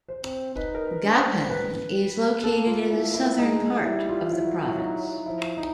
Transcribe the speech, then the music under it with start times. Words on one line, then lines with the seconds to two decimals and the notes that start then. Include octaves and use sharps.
Gapan is located in the southern part of the province.
0.08 C5
0.24 C4
0.55 D#4 B4
0.74 A#4
0.87 B4
1.03 D4
1.18 C5
1.50 B4
2.44 A#3 A4
2.67 F4
2.90 A#3 E4
3.14 E4
3.38 G#3 D#4
3.61 D#4
3.85 G3 E4
4.09 F4
4.32 F#3 E4
4.79 D#4
5.26 F3 E4
5.57 D#4